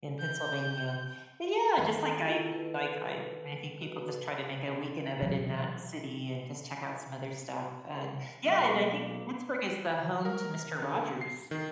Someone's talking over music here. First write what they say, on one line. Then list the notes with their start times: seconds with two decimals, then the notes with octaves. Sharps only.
in Pennsylvania. But, yeah, just, like, I like I I think people just try to make a weekend of it in that city and just check out some other stuff. And, yeah, and I think Pittsburgh is the home to Mister Rogers.
0.19 G6
1.78 D#3 A#3 A4
2.18 E4 F4 G4
2.52 B4
3.82 F#4 B4
5.22 B2 E3 F#3
8.44 B1 A#3
10.25 A#4
10.82 D3
11.21 C7
11.51 D#3